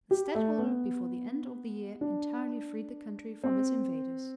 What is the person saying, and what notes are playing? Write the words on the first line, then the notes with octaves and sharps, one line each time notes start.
The stadholder before the end of the year entirely freed the country from its invaders.
G4
A3
B3
D4
C4